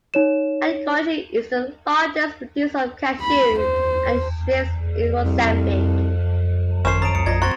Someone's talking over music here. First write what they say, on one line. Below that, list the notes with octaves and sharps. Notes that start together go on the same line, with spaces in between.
Angoche is the largest producer of cashew and shrimps in Mozambique.
D#4 C#5 E7
B5
C5
C2
G#1 C#4 A#4 C5 C7 E7
A5 A#5 D#6 A6 D7
C#2 A6 C#7
A#1 F3 D5 D#5 G#6 A#6
C4 F#4 A#5 C6 A6